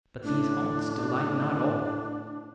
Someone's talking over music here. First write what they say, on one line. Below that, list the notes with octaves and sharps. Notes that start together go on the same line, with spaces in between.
But these haunts Delight not all.
A2 D4